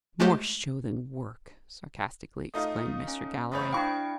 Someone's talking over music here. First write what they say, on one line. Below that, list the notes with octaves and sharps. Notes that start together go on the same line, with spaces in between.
"More show than work!" sarcastically exclaimed Mr. Galloway.
G#3 A3 F4 G4 C5
A3 D#4 F4 D#6
C#4
F1 E2 C5 C#5 B5 D#6
D4 E4 F5 G5 C#6